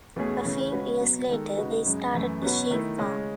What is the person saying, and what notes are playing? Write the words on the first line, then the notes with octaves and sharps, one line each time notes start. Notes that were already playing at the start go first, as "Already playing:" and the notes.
A few years later they started a sheep farm.
E2 B2 A3 C#4 G#4
C#3 E3 A3 C#4
C#3 G#3 C#4 F#4 B4
B2 F#3 B3
D#3 G#3 D#4 A4
C#3 G#3 D#4 F#4 B4
F#2 C#3 G#3
F#2 E3 A3 E4
B2 F#3 C#4 F#4 B4
D#3 A3 E4
C#3 G#3 C#4